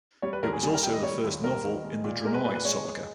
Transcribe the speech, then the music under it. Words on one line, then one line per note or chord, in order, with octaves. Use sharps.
It was also the first novel in The Drenai saga.
G3 C#5
B4
D#2 A#4
G#4
G3 G#4
A#4
D#3 G5
D#5
G3 C#5
D#2
G3 A#4
D#3
G#3
A#2
G#3 A#4
B4
A#2 B4
B4
G#3 C#5
G#3